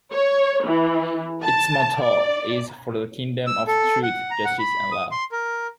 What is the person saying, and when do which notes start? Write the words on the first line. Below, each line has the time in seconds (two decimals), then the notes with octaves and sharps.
Its motto is 'For the Kingdom of Truth, Justice and Love'.
0.12 C#5
0.65 E3
1.44 A5
2.02 D5
3.47 E6
3.67 A4
4.03 F#5
4.31 A#5
4.45 F#5
4.59 B5
4.92 D#6
5.11 C6
5.32 A#4